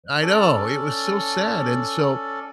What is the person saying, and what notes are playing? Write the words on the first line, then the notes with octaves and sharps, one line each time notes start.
I know, it was so sad, and so,
C#4 A4 D5